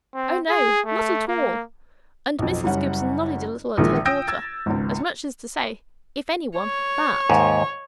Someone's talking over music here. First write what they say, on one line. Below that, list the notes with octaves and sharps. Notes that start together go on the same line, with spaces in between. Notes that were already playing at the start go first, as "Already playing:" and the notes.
"Oh, no! not at all,"--and Mrs. Gibson nodded a little at her daughter, as much as to say, "If any one, that."
C4
G#4
A3
A#3
B1 F2
F#1 F#2 G3 C#4 F#5
A#1 A#2 D#3 E3 G#3
G5 D#6 E6 G6 A#6 D7
E6 G#6 A6
G#1 C#2
C#5
D#2 G#2